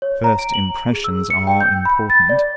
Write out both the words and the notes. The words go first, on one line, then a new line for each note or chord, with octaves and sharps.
First impressions are important.
C#5
A#5
D7
F#7
G#4
E6
C#7
G5
G6
B5
A6
D5